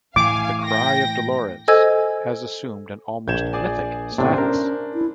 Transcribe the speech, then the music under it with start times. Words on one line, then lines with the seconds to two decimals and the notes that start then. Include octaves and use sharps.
The "Cry of Dolores", has assumed an almost mythic status.
0.16 A2 E3 F5 G#5 D6
0.64 G5 A#6
1.68 A4 C5 D#5 G#5 E6 G#6
3.28 A#1 G6 G#6 E7
3.53 G#4 D5 G#5
4.18 A2 C3 B3 D4
4.34 C#4 A#4 C5
4.94 E4